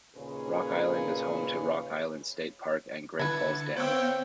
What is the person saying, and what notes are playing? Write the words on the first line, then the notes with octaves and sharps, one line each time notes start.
Rock Island is home to Rock Island State Park and Great Falls Dam.
D#2 A#2 C#3 C#4 G#4 B4
D3 E4 B4 G#6 A6 C#7
B3 C4 C5 C#5 F5 G5 E6